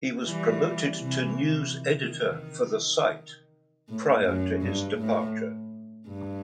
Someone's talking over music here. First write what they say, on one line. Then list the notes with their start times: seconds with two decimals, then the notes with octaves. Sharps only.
He was promoted to news editor for the site prior to his departure.
0.25 E3 G3
0.98 C3 E3
1.71 D#3
3.89 A2
4.25 F#2
4.62 G2
4.98 A2
6.07 G2